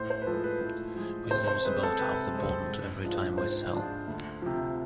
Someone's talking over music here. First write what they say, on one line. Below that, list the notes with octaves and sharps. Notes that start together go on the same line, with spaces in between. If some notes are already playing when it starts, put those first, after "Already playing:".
We lose about half the bond every time we sell.
Already playing: A2 C5
C5
B4
F3 G#3 A4
B4
A2
F3 G#3
C3 C5
C5
G#3 C4 B4
A4
C3 B4
G#3 C4
G#2
F3 G#3 D4 F4
G#2 C5
F3 G#3 D4 F4
D2
C3 F3